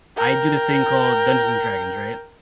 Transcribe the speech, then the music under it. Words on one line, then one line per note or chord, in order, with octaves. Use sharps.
I do this thing called Dungeons and Dragons, right?
A#4 G5